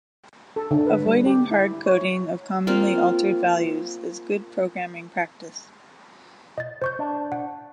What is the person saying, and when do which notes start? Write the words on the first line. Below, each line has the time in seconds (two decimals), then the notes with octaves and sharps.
Avoiding hard-coding of commonly altered values is good programming practice.
0.56 A4
0.71 D3
0.87 B4
1.06 G3
1.26 G4
1.51 E4
1.86 C#5
2.67 A#3 C4 F4
6.58 D#5 A6
6.82 C5 C#6 G6
6.99 D4
7.32 F#5